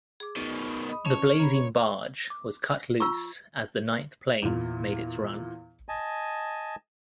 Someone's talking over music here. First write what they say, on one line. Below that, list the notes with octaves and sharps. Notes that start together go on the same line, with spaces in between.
The blazing barge was cut loose as the ninth plane made its run.
G#4 D6
B2 D#3
D#5 B5 D#6
C#4 C#5 A5
C#3
A#5 B5
D6
F4 A#5 C#6 E6
E2 A#2
D#5 G#5 A5